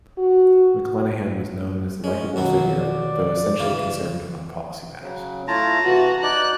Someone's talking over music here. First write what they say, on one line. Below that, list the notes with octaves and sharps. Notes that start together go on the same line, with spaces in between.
McLenaghen was known as a likeable figure, though essentially conservative on policy matters.
F#4
G#3 C#4
D#2 B2 F#3 B3
D5
C#3 E3 F4
C#3 F#3
A3 E4 F4 A5 A#5
C3 E3 F#4
D#4 D5 F#6